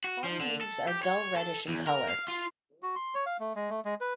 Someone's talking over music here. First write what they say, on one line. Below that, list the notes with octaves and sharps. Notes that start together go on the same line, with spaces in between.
Fallen leaves are dull reddish in colour.
F#4
F3
D3
A4
G4
C#5
A4
E2
A#4
F5
F4
F#4
C6
C#5
F5
A3
G#3
A3
G#3
B4